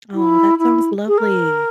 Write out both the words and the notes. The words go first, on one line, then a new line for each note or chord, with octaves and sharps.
Aw, that sounds lovely,
E4
E4
G#4
A#4